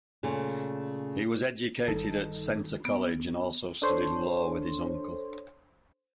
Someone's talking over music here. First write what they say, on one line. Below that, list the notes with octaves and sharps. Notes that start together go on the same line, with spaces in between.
He was educated at Centre College and also studied law with his uncle.
A#2 C#3 A3
G1 D#3 G3 D#4 A4
B3
D4 A4 C5 C#5 C6